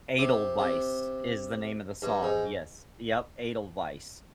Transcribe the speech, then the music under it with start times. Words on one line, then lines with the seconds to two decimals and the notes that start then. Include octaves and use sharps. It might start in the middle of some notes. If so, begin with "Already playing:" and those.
Edelweiss is the name of the song, yes, yep, Edelweiss.
0.18 C3
0.59 C3
2.02 G2
2.23 G#2